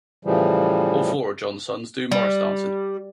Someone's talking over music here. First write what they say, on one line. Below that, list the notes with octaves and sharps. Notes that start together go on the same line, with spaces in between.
All four of John's sons do morris dancing.
A2 C#3 E3 F3 G3
G3